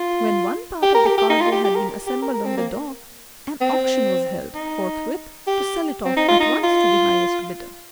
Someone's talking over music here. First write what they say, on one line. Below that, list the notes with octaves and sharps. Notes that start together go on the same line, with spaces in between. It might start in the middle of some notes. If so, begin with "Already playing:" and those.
When one part of the cargo had been assembled on the dock, an auction was held forthwith to sell it off at once to the highest bidder.
Already playing: F4
G4
A#4
G4
G4
D#4
F4
G4
G4
A#4
G4
A#4
A#4
C4
A#3
C4
D#4
G4
C4
D#4
F4
D#4
F4